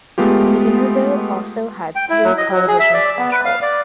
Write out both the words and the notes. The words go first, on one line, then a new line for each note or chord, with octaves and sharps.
Weinerville also had three television specials.
G#3 A3 B3 F4 G4
G5
E4
F#3
D#5
F#3
G#4
E5
D5
B3
B4
F5
D5